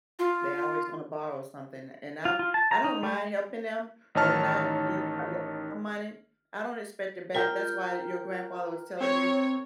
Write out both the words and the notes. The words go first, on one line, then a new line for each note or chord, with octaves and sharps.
they always wanna borrow something, and I I don't mind helping them, but when I l l some money, I don't expect it back, that's why your grandfather was telling you,
F4
F4
F4
A5
A#5
D#4
A3
A1 D#3 D#4 C#5 A5 F6
F4 A#4 G5 G6
C4 C#5